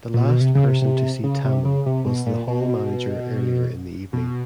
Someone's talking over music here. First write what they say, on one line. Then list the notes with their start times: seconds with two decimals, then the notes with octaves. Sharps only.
The last person to see Tammen was the Hall manager earlier in the evening.
0.14 A#2
0.28 B2
0.41 C3
0.55 C#3
0.68 C3
0.82 C3
1.24 C#3
1.44 C3
1.65 C#3
1.86 C3
2.06 B2
2.26 A#2
2.48 B2
4.13 B2